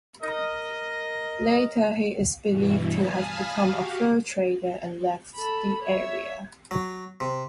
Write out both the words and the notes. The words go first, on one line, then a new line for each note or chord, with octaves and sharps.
Later, he is believed to have become a fur trader and left the area.
A#4 D#5
G2 B2 E3
F5 G#5 A5 B5 D#6 F6
F#4 G4 F5
A4 B5
C#5 E5
F#3
C3